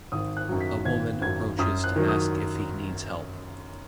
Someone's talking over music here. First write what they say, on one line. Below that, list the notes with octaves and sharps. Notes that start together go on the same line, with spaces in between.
A woman approaches to ask if he needs help.
G#1 D#6
F#6
F#2 F#3
B6
G#1 G#6
F#2 F#3 G#6
F#2 D#6
F#6
D#3 F#3
D#6